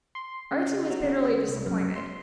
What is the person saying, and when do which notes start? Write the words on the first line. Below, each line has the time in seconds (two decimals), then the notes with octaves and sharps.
Archie was bitterly disappointed.
0.15 C6
0.51 C#3
0.90 F#3
1.03 C#3
1.48 C2
1.66 F#2
1.96 C6